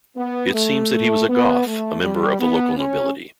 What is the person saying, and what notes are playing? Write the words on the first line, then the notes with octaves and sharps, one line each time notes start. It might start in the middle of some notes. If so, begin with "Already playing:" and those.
It seems that he was a Goth, a member of the local nobility.
B3
A3
B3
A3
G3
B3
C#4